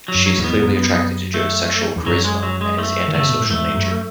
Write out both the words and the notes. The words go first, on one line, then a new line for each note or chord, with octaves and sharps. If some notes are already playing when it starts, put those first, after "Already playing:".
She is clearly attracted to Joe's sexual charisma and his anti-social nature.
F#3
F#2
F#3
E2 G#2
B3
G#2
F#2
A3
E2
F#2 F#3
G#3
F#3
G#3
A3
D#3
C#3 A3
B2
A2
E2 G#2 A3
F#2